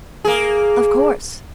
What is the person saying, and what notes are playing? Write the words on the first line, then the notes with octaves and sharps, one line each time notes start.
'Of course!
A#3 G#4